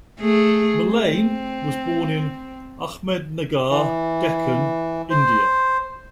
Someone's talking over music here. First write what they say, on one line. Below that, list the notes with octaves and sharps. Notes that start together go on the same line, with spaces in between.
Mullane was born in Ahmednagar, Deccan, India.
A3 G#4
C4
E3
C5